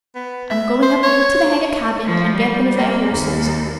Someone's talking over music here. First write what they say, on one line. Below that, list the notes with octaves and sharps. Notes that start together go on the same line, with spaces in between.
I'm going up to the Heger cabin and get one of their horses.
B3
E5
C5
C#5
F3
G3
A#3
D#2